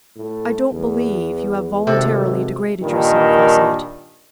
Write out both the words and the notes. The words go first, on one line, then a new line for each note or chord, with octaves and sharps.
"I don't believe you have voluntarily degraded yourself," I said.
A2
E2
G#1 C3 A4
G2 A#2 D#3